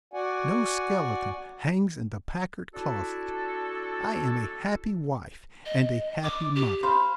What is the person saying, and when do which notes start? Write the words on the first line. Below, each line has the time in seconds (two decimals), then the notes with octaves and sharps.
No skeleton hangs in the Packard closet. I am a happy wife and a happy mother.
0.13 F#4 D5 F#5 G#5
2.75 D4 E4 F#4 A4
5.65 D#5
6.23 D5 D6
6.55 G4
6.83 C5 F5 B5